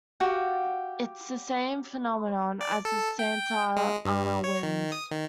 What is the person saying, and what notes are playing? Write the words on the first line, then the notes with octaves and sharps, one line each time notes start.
It is the same phenomenon as the Santa Ana winds.
F#4 G4 F5 F#5
D5
A4
G5
G#3
G2
G2
C#5
D#3
D#6
D#3